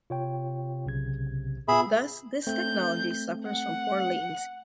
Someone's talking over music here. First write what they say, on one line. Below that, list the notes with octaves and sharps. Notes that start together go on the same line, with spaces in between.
Thus, this technology suffers from poor latency.
C3 F4 C#5 G5
B1 C#3 G#6
A#2 B3 F4 G#4 E5 B5
A3 C4 G6
F#5